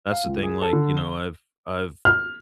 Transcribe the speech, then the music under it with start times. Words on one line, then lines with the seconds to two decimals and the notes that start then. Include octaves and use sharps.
that's the thing, like, you know, I've I've
0.12 F5
0.26 C#2
0.43 G#4
0.62 A4
0.73 D3
0.97 G7
2.05 F6